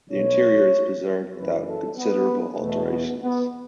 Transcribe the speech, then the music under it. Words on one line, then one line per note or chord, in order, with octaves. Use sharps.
The interior is preserved without considerable alterations.
B1 B2 C#5
F#1 F#2 E3 B4
A4
B3
E2 B2 A3
B3
B3